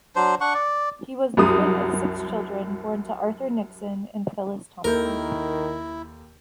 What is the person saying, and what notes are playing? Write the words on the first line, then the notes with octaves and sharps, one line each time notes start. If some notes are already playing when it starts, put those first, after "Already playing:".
He was the fifth of six children born to Arthur Nixon and Phylis Thompson.
F#3 D4 C5
D4 F#5 C#6
D5
C2 F#2 D#6
D#2 D#3 E4 A4 A#4 G6